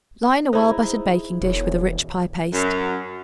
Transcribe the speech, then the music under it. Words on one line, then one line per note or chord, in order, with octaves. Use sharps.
Line a well-buttered baking-dish with a rich pie-paste.
D#4 E4 G#4 C5
E1 C#5
F#2